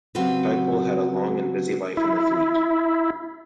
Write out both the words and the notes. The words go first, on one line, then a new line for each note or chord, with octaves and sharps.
"Tidepool" had a long and busy life in the fleet.
C#3 F#3 C4 F#4 G4 B4
E4